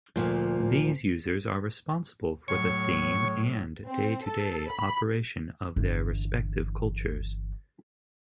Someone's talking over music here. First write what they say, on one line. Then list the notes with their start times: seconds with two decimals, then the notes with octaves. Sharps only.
These users are responsible for the theme and day-to-day operation of their respective cultures.
0.16 D2 A#2 F3
2.48 A2 F#3 C#5 C#6
3.88 C4
4.25 A4
4.71 B5
5.76 G1 E3